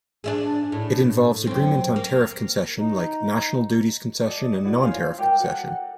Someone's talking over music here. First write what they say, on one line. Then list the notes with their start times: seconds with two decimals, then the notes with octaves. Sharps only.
It involves agreement on tariff concession like national duties concession and non-tariff concession.
0.24 D4 E4 G#4
0.72 A2
1.47 F#2 C4
1.96 A#3
2.78 D#4
4.25 A4 D5 D#5
4.64 D4 E4 F#4 D5
4.80 C#4 F4 C5 F5
5.18 G4 A#4 G5
5.40 F#4 A4 F#5